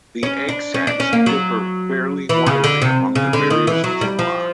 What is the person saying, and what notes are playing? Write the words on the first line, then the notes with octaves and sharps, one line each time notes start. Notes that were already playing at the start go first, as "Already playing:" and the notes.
The egg sacs differ fairly widely among the various genera.
C#4
D4
C#4
D4
C#4
A#3
F#3
E3
C#3
D3
C3
C#3
D3
D#3
E3
F#3
G3
F3